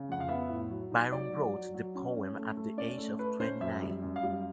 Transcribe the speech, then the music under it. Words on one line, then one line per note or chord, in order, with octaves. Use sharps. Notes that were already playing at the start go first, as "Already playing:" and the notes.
Byron wrote the poem at the age of twenty-nine.
Already playing: C#3
F2 F#5
F5
B3 E5
A2
F#3
D#4
F#3 D5
F#3
F#3
F#3
C#4
C#4
A3
A3
C#4 D5
A3
A3 B4
C#4 C5
F#2 E5
G3
F#2
F5
G3